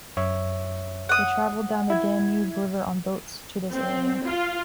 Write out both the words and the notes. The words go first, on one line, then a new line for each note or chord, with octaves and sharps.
They traveled down the Danube River on boats to this area.
F#2 C#5 E5
F#5 D#6
E4 E5 G#6
C4
F4